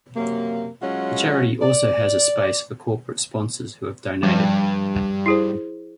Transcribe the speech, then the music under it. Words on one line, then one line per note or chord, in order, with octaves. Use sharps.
The charity also has a space for corporate sponsors who have donated.
F#2 C3 A#3
F#3 G#3 C#4 F4 F#5
D5
G2 F3
E4 G#4 C5